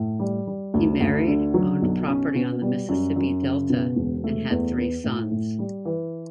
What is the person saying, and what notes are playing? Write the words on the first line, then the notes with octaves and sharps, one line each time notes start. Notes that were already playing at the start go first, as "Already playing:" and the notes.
He married, owned property on the Mississippi Delta, and had three sons.
Already playing: A2
G3
G3
D2
D2
D3
F#3
B1
C#4
B2
G3
F#2
F#2
C#3
B2
E1
A3
E2
B3
A2
A2
G3
E3